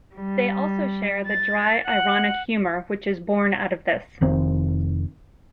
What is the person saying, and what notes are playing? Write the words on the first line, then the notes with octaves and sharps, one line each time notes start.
They also share the dry ironic humour which is borne out of this.
G3
A6
F#5
F1 D#3 C4